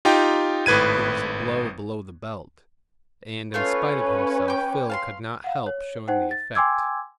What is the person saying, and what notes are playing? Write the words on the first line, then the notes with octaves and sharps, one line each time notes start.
It was a blow below the belt, and, in spite of himself, Phil could not help showing the effect.
D#4 F4 G4 G5
G#1 A2 B4 G#6 D#7
A3 C#4 F4 B4 C#5 F5
G5 D6
F5 A5 C6
F5 F#5
C#5
D#4 C5 F#5 G5
A6
G5 G#5 C6 D6 E6 G#6